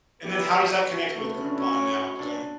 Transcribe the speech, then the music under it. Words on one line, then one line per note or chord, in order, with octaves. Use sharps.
and then how does that connect with Groupon now, 'cause I'm
B3 E4 G4 B4 D5
F#4
F#4
A3
B3
C#4
D4
C#4 E4 F#4 C#5
D4